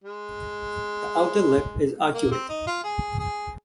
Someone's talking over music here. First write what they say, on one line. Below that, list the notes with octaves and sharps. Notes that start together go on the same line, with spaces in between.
The outer lip is arcuate.
G#3
A#3
C4
D#4
F4
G#4
G#4